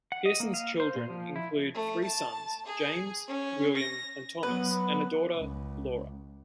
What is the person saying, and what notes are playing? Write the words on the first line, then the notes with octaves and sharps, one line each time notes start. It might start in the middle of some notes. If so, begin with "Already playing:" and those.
Pearson's children include three sons, James, William and Thomas, and a daughter, Laura.
F#5
D#5
A#3
F5
C5
A#2
F3
E4
A3
A5
G#4
C#4
A#6
F#3 B3 B4
C#2